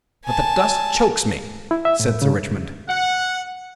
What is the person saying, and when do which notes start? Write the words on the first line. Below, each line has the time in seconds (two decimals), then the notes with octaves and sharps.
"But the dust chokes me," said Sir Richmond.
0.25 G#5 A5
1.71 E4
1.85 E5
2.00 A2
2.22 C#3
2.88 F#5